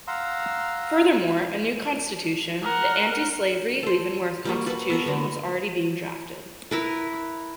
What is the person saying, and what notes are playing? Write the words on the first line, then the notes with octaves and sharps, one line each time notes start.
Furthermore, a new constitution, the anti-slavery Leavenworth Constitution, was already being drafted.
F5 F#5 A#5 C6 E6
A#4 F#5
A4 C5
G3 A#3 F#4
F#4 A4 B4
B3 A4 A#4
D3 B3
E4 A#4 B4